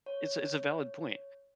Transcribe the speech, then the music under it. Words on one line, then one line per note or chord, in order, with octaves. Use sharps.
It's a it's a valid point.
C#5